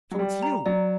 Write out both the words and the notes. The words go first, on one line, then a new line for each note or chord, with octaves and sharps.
"So it's you!"
F#3
G3 D5
A#5
F#3 D5